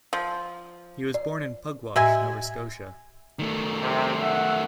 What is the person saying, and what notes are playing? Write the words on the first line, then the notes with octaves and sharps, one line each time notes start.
He was born in Pugwash, Nova Scotia.
F3
D5
A2 G#3 E5 G#5
D#3 A3
C3
E5 F#5